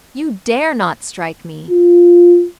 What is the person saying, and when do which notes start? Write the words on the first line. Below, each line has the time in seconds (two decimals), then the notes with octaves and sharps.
You dare not strike me!
1.71 F4